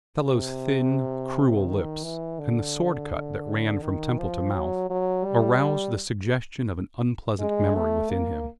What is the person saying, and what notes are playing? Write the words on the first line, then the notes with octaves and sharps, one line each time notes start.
The fellow's thin, cruel lips, and the sword-cut that ran from temple to mouth aroused the suggestion of an unpleasant memory within him.
C3
D#3
E3
D3
D#3
F3
F#3
F#3
G3
G#3
A3
A#3